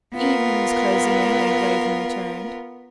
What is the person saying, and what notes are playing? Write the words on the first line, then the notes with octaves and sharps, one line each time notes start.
The evening was closing in when the Raven returned.
B3 F4 A#4